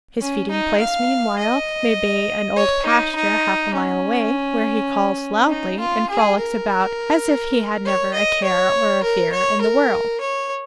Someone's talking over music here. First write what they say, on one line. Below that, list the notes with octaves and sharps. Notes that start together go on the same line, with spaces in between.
His feeding place meanwhile may be an old pasture half a mile away, where he calls loudly, and frolics about as if he had never a care or a fear in the world.
C#4
D#4
F5
D#5
C#5
D#4
D#4
C#4
D#4
F4
G#4
A#4
C#5
D#5
C#5
A#4
C#5
A#4
C#5